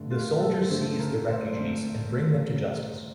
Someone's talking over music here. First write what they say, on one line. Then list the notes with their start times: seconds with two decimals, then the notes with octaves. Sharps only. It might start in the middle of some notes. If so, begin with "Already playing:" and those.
The soldiers seize the refugees and bring them to justice.
Already playing: G2 D3 A3
0.11 F4
0.40 A4
0.70 G2 D3 A3 C5
0.99 A#4
1.28 C5
1.39 D5
1.50 C5
1.57 D3 A3